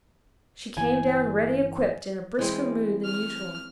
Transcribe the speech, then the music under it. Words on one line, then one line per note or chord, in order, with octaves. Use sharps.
She came down ready equipped, in a brisker mood than usual.
G1 E3 G#5
E3 G#3 C4
F6